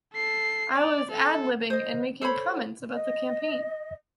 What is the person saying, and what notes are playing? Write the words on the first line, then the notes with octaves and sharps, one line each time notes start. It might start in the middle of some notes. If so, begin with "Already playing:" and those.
I was ad libbing and making comments about the campaign.
A4 C7
D5
A4
C5 D#5
A4 C5 C#5 B5
D#5